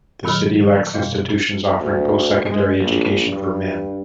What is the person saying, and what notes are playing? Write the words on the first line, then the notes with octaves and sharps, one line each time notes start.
The city lacks institutions offering post secondary education for men.
A#2 D#3 F#3 D#5 F6
F#2 B2 G3 E4 D#5
D2
G#3
A#1
G2